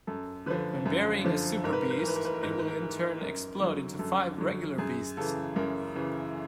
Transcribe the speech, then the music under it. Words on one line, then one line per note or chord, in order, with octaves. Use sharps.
When burying a "super-beast" it will in turn explode into five regular beasts.
F#2 A4
D3 F3 B4
F#2
D3 F3
G#2 A#4
B4
A#4
B4
A#4
E3 B4
A#4
B4
A#4
G#2 B4
A#4
B4
A#4
E3
F#2 A#4
D3 F#3
F#2 A4
D3 F#3
F#2 G#4
C#3 E3 A4
F#2 A#4
C#3 E3